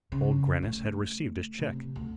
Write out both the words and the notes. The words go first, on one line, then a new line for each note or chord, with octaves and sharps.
Old Grannis had received his check.
C#3
A3
C3
D2